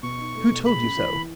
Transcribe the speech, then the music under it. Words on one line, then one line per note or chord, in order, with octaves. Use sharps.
"Who told you so?"
B2 C#6
D#4
A3
B2
G#3 B5
F#2
E3
E3